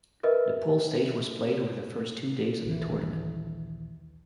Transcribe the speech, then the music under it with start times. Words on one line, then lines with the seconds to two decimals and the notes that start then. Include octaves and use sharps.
The pool stage was played over the first two days of the tournament.
0.23 A#4 B4 D#5 E5
2.64 A#1 D#2 E3